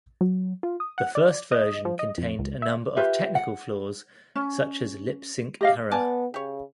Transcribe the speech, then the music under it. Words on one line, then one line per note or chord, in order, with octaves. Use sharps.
The first version contained a number of technical flaws such as lip-sync error.
F#3
F4
D#6
F#5
D5
D#5
F3
D#5
F2
C#2
E5
F4 G4 B4 E5
F#5
C#4
G4 D#5 F5
B3 D5 G#5 A5
C#3 G4 C#5